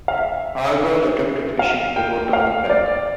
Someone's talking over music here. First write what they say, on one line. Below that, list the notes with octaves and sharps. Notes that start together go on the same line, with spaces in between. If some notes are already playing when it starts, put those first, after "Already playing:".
Argall attempted fishing before turning back.
F5
E5
F5
G5
F5
D5